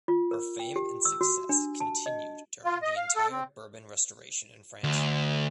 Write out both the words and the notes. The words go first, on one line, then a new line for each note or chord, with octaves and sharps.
Her fame and success continued during the entire Bourbon Restoration in France.
F4
A#4
G5
G4
E6
F#4
D4
A5
D#5
F4
D#5
F5
A4
C4
D2